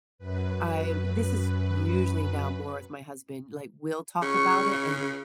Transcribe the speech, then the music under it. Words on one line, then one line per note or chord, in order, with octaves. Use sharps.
I've this is usually now more with my husband, like, we'll talk about it, and
F#2 B4
C#3 C#6